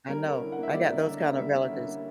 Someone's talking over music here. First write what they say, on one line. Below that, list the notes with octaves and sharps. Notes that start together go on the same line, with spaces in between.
I know. I got those kind of relatives
G3 A#4
C#4
D3 E4
F#5
A#3
E5
G3 D5
C#4
D3 E5
A#3
G3 E5
C#4
D3
A#3